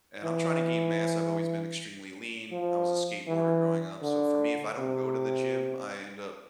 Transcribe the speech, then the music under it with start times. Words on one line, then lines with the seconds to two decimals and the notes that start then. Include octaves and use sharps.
And, I'm tryna gain mass, I've always been extremely lean, I was a skateboarder growing up, so for me, if I don't go to the gym, I end up
0.23 E3
2.52 F3
3.27 E3
4.02 D3
4.78 C3